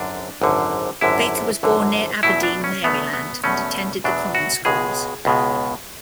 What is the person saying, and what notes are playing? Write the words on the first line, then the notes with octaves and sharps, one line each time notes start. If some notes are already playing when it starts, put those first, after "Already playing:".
Baker was born near Aberdeen, Maryland and attended the common schools.
Already playing: G#1 F#2 D3 D4
G#1 F#2 D3
G#1 F#2 D3 E4
G#1 F#2 D3
E2 B2 F#3 A3 E4
D4
C#4
E2 B2 F#3 A3 B3
B3
E2 B2 F#3 A3 C#4
E2 B2 F#3 A3 D4
F#4
C#2 B2 G#3 G#4
C#2 B2 G#3